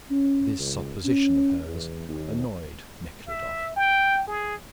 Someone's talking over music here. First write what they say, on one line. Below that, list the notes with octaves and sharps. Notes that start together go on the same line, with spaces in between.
This supposition of hers annoyed Nekhludoff.
C#4
C#2
C#4
E2
D#2
E5
G5
G#4